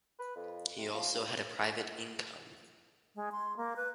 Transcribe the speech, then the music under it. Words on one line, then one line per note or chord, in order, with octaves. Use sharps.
He also had a private income.
B4
F2
C3
F3
G2
G#3
C6
A#3
B4